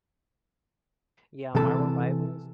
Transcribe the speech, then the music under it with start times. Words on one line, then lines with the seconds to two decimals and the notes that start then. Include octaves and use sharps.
Yeah, Marvel Rivals
1.55 C3 E3 A4 A5